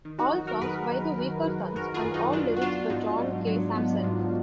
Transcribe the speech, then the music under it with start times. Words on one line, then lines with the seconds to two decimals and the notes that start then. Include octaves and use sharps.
All songs by The Weakerthans and all lyrics by John K. Samson.
0.05 D#3
0.19 D#4 F#4
0.33 F#3
0.47 F#4 A#4
0.61 F#2 G#4 B4
0.90 F#2
1.18 D#3
1.48 F#3
1.76 F#2 F#4 A#4
1.94 F4 G#4
2.05 F#2
2.14 D#4 F#4
2.33 F#3 D4 F4
2.56 F#4
2.61 B3 D4 F4
2.90 G#2 D#4
3.18 G#2
3.47 F#3
3.75 B3
4.04 G#2